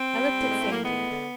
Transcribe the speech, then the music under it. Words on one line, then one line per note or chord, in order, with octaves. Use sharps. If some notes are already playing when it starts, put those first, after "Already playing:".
I looked at Sandy.
Already playing: C4
G3
A2
G#3
A2 A3
A#3
G#3 B3
D3